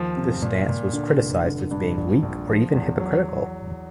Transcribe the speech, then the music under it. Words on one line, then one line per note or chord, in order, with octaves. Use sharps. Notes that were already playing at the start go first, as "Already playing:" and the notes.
This stance was criticised as being weak or even hypocritical.
Already playing: D#2 F3
C3
A#2
A#2
D3
F1
D3
G2
A#1
A#1
F3
E2
F#3